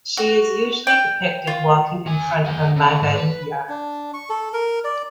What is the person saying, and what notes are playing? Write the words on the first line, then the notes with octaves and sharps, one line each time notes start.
She is usually depicted walking in front of a "magariya".
F#4
G5
F4
F#4 G#5
G#4 F#5
C#3
G#2
B4
D4
C#6
A4
A#4
D5